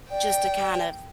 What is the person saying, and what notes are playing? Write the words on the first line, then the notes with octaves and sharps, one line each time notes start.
just to kind of
D5 G5